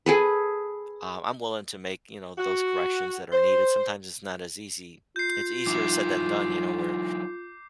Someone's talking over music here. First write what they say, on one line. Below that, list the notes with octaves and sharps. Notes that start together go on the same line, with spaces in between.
um, I'm willing to make, you know, those corrections that are needed sometimes it's not as easy. It's easier said than done, you know, where,
G#4 A4 B4
F#4
C5
F4 G6 C7
F#3 D#4 E4 D6